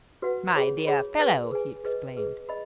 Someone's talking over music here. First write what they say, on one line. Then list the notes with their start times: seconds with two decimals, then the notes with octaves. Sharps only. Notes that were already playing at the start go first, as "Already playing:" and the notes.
"My dear fellow!" he exclaimed.
0.22 F#4 B4 F#5
0.55 G#4 C#5 B5
0.87 G#4 C#5 B5
1.20 G#4 B4 G#5
1.52 G#4 B4 G#5
1.84 G#4 B4 D#5
2.16 G#4 B4 D#5
2.49 D#5 B5